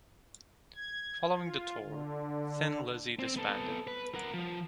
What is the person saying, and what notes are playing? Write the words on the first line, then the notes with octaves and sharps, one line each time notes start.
Following the tour, Thin Lizzy disbanded.
G#6
F4
D3
C4
B3 A4
B4
A#4 F#5
F3